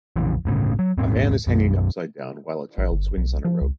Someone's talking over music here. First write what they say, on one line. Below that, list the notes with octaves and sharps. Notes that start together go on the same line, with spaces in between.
A man is hanging upside down while a child swings on a rope.
A#1 F2 C#3 E3
G1 A2 C#3
F#3
D#1 G#2 C4
B1 F#2
A1
G1
B1
F3
C#2